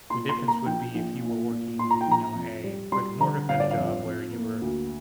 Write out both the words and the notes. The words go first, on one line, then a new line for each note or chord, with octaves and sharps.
the difference would be if you were working, you know, a brick and mortar kind of job where you were
A#2 C6
C6
A#3
A#5
A#1 G5
A#1
A#2
A#2
A#2 C6
A#5
G5
A#1 A#5
F2
G3
G3 C6
D3 A#5
G1 F5
D5
F5
F2
F2
A#3
D2